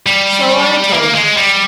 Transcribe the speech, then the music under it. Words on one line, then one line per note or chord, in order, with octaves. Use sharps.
'So I told him.
G3
A#3
G#3
G3